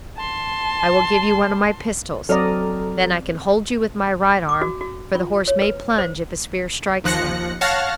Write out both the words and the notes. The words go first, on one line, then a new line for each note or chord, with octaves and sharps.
I will give you one of my pistols; then I can hold you with my right arm, for the horse may plunge if a spear strikes him.
A5 C6
F#3 C4 A4 D5 D#5 A#5 F6
D6
F#4
F#4
F4
C#5
B4
C5
D#2 F3 F#6 A#6 C#7
C#5 F5 F#5 A5 F6 A#6